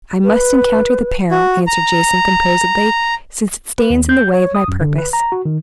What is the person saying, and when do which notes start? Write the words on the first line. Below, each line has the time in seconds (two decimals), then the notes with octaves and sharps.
"I must encounter the peril," answered Jason, composedly, "since it stands in the way of my purpose."
0.24 B4
1.31 F#4
1.67 A#5
3.78 B4
3.90 D#2
4.09 G6
4.34 C#5
4.55 D#6
4.68 F#2
4.81 D3
4.98 B4
5.13 A#5
5.32 F#4
5.45 D#3